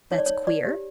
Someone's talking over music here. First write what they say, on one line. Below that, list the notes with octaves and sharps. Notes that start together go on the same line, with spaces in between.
"That's queer."
D#4 C#5
D5
D#4 C#5
D#4 D5
G4